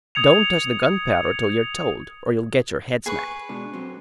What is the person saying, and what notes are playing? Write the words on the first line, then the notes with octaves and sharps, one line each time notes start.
"Don't touch the gunpowder till you're told, or you'll get your head smacked."
D#6 G#6 C#7 F7
G#4 B4 C#6
B2 G#3 D4
F#3 C4